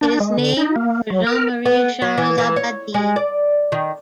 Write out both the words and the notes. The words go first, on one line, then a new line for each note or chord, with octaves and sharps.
It is named for Jean Marie Charles Abadie.
D4
G#3
D3
D#4
A#3
F#3
A#4
B3
F#3
E3
E3
C#5
G#3
D5
D#3